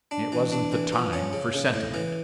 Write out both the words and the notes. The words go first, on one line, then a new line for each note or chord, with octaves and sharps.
"It wasn't the time for sentiment."
D4
E3
D4
E3
F3
C#4
C#3
C#3
A2
E3